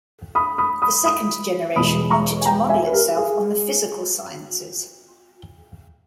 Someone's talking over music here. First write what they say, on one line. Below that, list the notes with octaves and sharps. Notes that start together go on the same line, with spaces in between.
The second generation wanted to model itself on the physical sciences.
B5 D#6
B5 D#6
B5 D#6
B5 D#6
E2 B2 G#3 B5 D#6
A#5 C#6
G#5
G5 A#5
E5 G#5
B4
G4 A#4
G#4